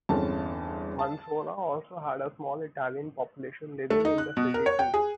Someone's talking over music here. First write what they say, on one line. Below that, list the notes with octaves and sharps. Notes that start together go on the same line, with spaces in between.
Mansoura also had a small Italian population living in the city too.
G1 E2 C4 C#4 A4 A5
A5
A3
D#4
F#6
B2
A#4
C#5
G5
G#4